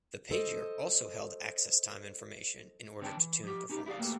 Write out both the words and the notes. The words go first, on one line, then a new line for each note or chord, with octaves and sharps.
The pager also held access time information in order to tune performance.
A4 C5 D#5
D3 C4 C#5 G5 A5
E3
F3 G4
C#4 D#4 G4
E4 G4 G#4 D5 F5
A3 A#3 F#4 G4 A4 B4